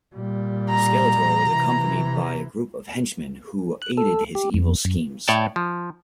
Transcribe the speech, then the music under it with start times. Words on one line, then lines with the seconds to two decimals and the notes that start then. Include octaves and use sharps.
Skeletor was accompanied by a group of henchmen who aided his evil schemes.
0.15 A#2 G3
0.69 A#5
1.49 C3 E3
3.82 F#6
3.97 A4
4.35 G4
4.54 F2
4.85 F#2
5.28 A2 C#5 D5 G5 A5
5.56 F3